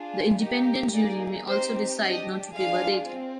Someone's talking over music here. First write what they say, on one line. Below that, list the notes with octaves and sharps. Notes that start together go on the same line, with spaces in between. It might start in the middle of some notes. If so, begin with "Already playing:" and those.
The independent jury may also decide not to give a rating.
Already playing: D4 F4 G#4
A#3 D#4 G4
A#3 D#4 G#4 D5
C4 D#4 G4 C5
D4 G4 D#5
D4 F4 G#4 F5
C4